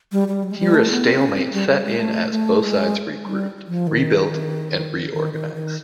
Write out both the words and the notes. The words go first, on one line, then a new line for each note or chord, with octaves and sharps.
Here a stalemate set in as both sides regrouped, rebuilt and reorganised.
G3
G3
F#3
G#3
G3
A3
B3
C4
C#4
C4
G3
G3
G#3
A3
A3
G#3
G3
F3
D#3
D#3
D#3
D#3